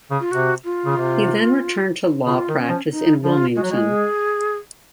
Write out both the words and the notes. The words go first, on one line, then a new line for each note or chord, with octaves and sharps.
He then returned to law practice in Wilmington.
C#3
F4
C3 F#4
F4
C#3
C3
C#3 F4
D#3
C#4
F3
D#4
F3 F4
G#3 F#4
F#3
G#3
G#4